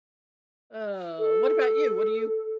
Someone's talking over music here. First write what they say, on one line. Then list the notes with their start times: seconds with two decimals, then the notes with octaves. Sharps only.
Uh, what about you? What do you
1.19 A4